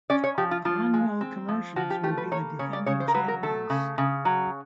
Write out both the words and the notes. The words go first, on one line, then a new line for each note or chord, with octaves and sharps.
Clonmel Commercials will be the defending champions.
C#4 D5
C#5
F3 G4
F4
F3 F4
G#3
C4
F3
F3 F#4
G4
A3 G4
B4
A#3 C#5
C#3 C#5
D5
C#3 C#5
C5
A#4
F#3 B4
A#4
A3 A4
C#3
C#3
F#3